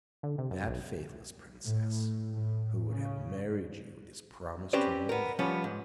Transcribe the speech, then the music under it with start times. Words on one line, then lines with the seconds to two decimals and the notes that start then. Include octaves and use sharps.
That faithless Princess who would have married you is promised to me.
0.23 D3
0.38 C3
0.51 F#2
0.68 B1
1.65 A2
2.34 A2
2.90 C#3
4.73 C4 C#4 G4 B4 C5 D5
5.09 B3 A#4
5.39 F3 G3 B3 C#4
5.64 G#2